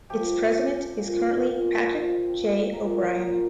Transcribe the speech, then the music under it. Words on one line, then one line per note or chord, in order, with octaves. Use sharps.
Its president is currently Patrick J. O'Brien.
F3 G4
C4
A#2
A#2
F3
C4
A#2 A#4
A#2